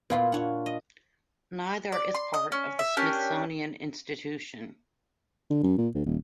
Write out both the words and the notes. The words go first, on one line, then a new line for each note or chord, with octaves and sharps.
Neither is part of the Smithsonian Institution.
A#2 B3 E4 F4 F5
D4 F4 C#5 F#5
D#5
D5
C6
D#5
C#4
E5
C#4 D4 G4 A#4
D3
F#2
A#2
D2
D#1